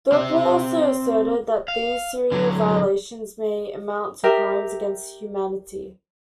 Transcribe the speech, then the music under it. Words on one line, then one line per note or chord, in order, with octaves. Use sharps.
The report also asserted that these serial violations may amount to crimes against humanity.
C4 E5
F5
D3 F#3
G4 A#4 E5